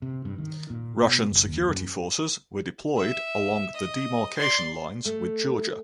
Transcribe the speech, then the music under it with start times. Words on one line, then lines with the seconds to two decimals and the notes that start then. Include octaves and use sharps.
Russian security forces were deployed along the demarcation lines with Georgia.
0.02 C3
0.25 G2
0.38 D#3
0.70 A#2
1.02 B2
1.31 F#1
1.48 D#2
1.68 F#2
2.96 E5
3.74 D#5
4.36 D5 C6
5.05 A3